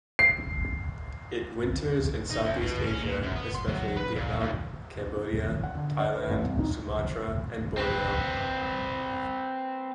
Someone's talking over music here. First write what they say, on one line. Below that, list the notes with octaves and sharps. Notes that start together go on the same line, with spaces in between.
It winters in South East Asia, especially in Vietnam, Cambodia, Thailand, Sumatra and Borneo.
C7
D#4
C#2
B2
C#4
A#2
F#2
B3
C6
F#3
B4
A#2
D#2
F#5
D3
D4
B4
A1
C2
D#4
C4 B4